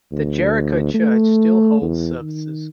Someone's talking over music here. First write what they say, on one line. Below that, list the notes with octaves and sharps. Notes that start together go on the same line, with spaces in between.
The Jerico church still holds services.
D2
A3
E2
D#3